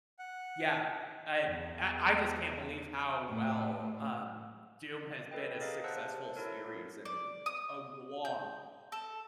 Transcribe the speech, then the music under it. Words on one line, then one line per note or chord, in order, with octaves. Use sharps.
Yeah, I I I just can't believe how well, um, Doom has been a successful series and so long.
F#5
E2
A2
A4 B4 D#5 G5
G4 G#4 A#4 D#5 F5
C5 F#5 A5 E6 F#6
E4 A4 A#4 C#5
D5
D#6
G6
A4